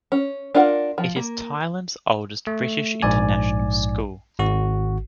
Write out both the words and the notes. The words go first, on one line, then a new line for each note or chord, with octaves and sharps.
It is Thailand's oldest British international school.
C#4
D4 F4 A#4 F#5
F3
A#3
A3
A#1 G#2 D5 G#5
G#1 F#4